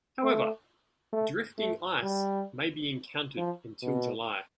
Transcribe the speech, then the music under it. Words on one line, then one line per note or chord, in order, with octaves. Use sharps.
However, drifting ice may be encountered until July.
A3
A3
A3
G3
F3
B2